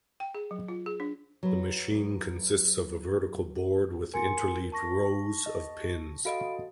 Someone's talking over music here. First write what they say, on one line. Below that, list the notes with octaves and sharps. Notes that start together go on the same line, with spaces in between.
The machine consists of a vertical board with interleaved rows of pins.
G5
G#4
F#3
F4
G#4
D4
F#3 B4
A#4 G#5 C6 C#7
A5 C#6 A#6
D#5
F#4 A4 D#5 F5 B5 D7